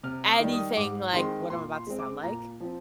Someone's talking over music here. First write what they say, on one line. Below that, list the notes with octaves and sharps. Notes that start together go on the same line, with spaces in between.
Anything like what I'm about to sound like.
C3 F6
D#6
D#3 G3
D#6
G#2 D6
D#3 G#3 C4 C6
A#2 C6
C6
G#3 C4
D6
A#2 A#5
F3 C4